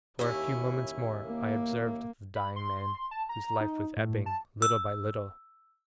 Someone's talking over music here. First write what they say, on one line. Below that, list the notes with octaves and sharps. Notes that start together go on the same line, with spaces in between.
For a few moments more I observed the dying man, whose life was ebbing little by little.
D#2 C#4 E4
A#3
B5
C6
A5
A#5
D#4
A2
A5
E6